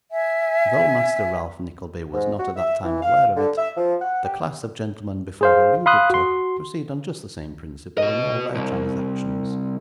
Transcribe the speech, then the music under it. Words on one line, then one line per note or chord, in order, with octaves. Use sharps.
Though Master Ralph Nickleby was not at that time aware of it, the class of gentlemen before alluded to, proceed on just the same principle in all their transactions.
E5 G#5
G#2
F#4
E5
E3
F5
D3
E5
F3
F#5
G4
G#4 C5 F5
F5 B5 C6 D#6 F#6
F#4 C6
B2 D#5
C2